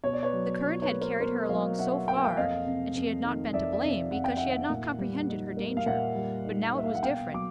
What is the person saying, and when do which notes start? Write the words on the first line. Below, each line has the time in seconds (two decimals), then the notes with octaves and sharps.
The current had carried her along so far, and she had not been to blame, because she had not comprehended her danger; but now it was different.
0.04 B2 C#5
0.13 D5
0.23 B4 C#5
0.33 F#3
0.62 B2
0.82 B4 C#5
0.92 A#3
1.01 A#4 C5
1.20 B2 A#4 C5
1.49 F#3 D#5 F5
1.78 B2 E5 F#5
2.08 A#3 G5
2.17 G#5
2.24 F5 G5
2.37 F2 D#5 F5
2.66 C3
2.95 F2
3.24 D#3
3.53 F2 D5 E5
3.73 D5 E5
3.83 C3
4.11 F2 F#5
4.24 G5
4.36 D#3 E5 F#5
4.70 A#2
4.98 G3
5.29 D#4
5.57 A#3
5.77 F5
5.86 A#2 E5 F#5
6.15 G3
6.44 D#4
6.74 A#3 E5
6.85 F5
6.95 F#5
7.03 B2 F5 G5
7.32 F#3 D6